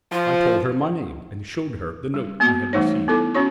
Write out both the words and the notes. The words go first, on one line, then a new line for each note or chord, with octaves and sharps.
I told her my name, and showed her the note I had received.
F3 F4
G3
A#3 B3 F#4
E3 G3 A3 D#4 C5 C#5
B3 E4 A4 D6
B3 C#4 F#4 C#5 C#6